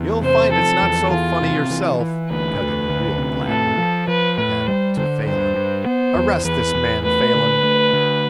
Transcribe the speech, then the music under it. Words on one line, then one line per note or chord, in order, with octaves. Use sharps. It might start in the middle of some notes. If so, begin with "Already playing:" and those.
"You'll find it's not so funny yourself," cut in the real Gladwin. Then to Phelan, "Arrest this man, Phelan."
Already playing: E2
C3 C5
F3 A4
E2
E3 F4
C3
E3
E3
D2 B4
D2
D2
C3
A2 A4
F3
F3 B4
A2 B4
G3 C5
D3 C5
G2 C5
G2
B3 C5
E2
E2 B4
E2
A3 B4
D3
A3
D3